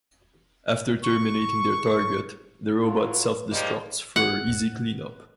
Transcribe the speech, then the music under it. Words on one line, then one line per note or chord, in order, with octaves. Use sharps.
After terminating their target, the robot self-destructs for easy clean-up.
C#6
F#3 E4 F4
F3 G3 G#3 A#3 D#4
F#5